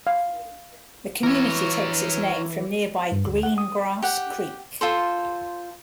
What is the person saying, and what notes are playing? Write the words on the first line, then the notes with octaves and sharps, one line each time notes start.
The community takes its name from nearby Green Grass Creek.
F5
E3 A#4 C#5
G2
D2
F#5
D#6
G4 F#5
F4 A4 C5